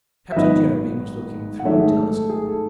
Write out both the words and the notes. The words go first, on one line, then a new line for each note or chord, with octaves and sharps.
Captain Jeremy was looking through a telescope.
E5
G#1 G#2 D#3 F#3 B3 B4 D#5
F#5
A1 G#2 D#3 F#3 A3 C#5 E5
G#4
A4
A4
G#4
A4